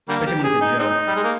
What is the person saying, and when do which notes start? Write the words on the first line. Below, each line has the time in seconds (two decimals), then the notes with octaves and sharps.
especially when it's a joke.
0.09 D3 G3 A#3
0.27 G4
0.44 G#4
0.61 D#4
0.79 G#3 C4 D#4
1.07 G3
1.16 G#3
1.24 A#3